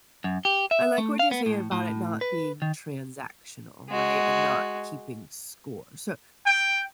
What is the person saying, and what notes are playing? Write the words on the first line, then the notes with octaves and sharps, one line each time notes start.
I like what you're saying about it not being transactional, right, and not keeping score. So,
F#2
G4
E5
A3
F5
B3
A2
A2
B4
D#3
G#3 F#4
G5